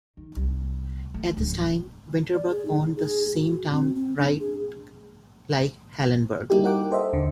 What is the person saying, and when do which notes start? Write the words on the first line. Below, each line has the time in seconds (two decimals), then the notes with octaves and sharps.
At this time Winterberg owned the same town right like Hallenberg.
0.17 D#3
0.36 C2
1.14 A3
1.37 D1
2.34 D5
2.50 G#4
2.65 D#4
2.97 G#4
3.34 F#4
3.71 C4
3.95 C4
4.17 D4
4.40 G#4
6.50 G3 A#3 D#4 E4 F#4 G4
6.64 D#4 A#4 F#5 G5 D6
6.91 A4 C5 D#5 E5
7.13 D#2 D3